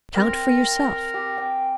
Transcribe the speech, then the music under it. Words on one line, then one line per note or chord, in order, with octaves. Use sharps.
"Count for yourself."
C4 A#4
G4
G5 G#5